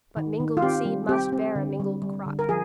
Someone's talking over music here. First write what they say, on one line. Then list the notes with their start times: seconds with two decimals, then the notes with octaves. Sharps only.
But mingled seed must bear a mingled crop.
0.17 D#3
0.39 D#3
0.57 F4
0.62 C4 G4
0.85 G3
1.09 C4 G4
1.33 C4
1.55 D3
1.80 G3
2.02 G3
2.26 D3
2.39 A#4
2.49 F3 G#4